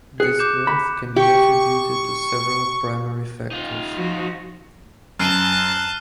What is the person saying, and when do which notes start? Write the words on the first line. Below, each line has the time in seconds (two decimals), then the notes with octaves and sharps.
This growth can be attributed to several primary factors.
0.20 G#4 F#6 C#7
0.39 D6 G6 E7
0.67 B5
1.16 G4 C#6
3.51 D#4 F4
3.96 F3 F#4
5.19 F#2 A5 F6 F#6 C7 D#7